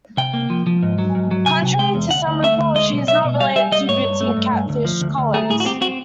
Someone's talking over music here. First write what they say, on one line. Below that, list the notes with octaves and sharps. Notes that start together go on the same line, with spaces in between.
Contrary to some reports, she is not related to Bootsy and Catfish Collins.
C3 G5
A#3
F3
F3
G#2
F#3
G#2
F#3
C3 G#5
C3
G#3 G5
E2
D2 F#5
D2
A3 E5
D2
G#3 D#5
B1
B1 E5
B2
G3 F5
G3 E5
G3 D#5
G#2 C#5
G2
A3
G2
G2
D2
F3
D2
D2
A3 G#4
A2 G#4
F#4
C4 G4
C4 F#4